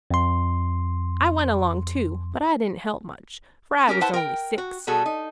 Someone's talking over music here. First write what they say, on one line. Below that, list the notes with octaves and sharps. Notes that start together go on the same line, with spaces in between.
I went along too, but I didn't help much--for I was only six.
F2 C6
C#4 G4 G#4 A#4
E4 B4 C5 F#5 A5
A#4 G5
F#4
B2 G3 F#4 G#4 A4
D#4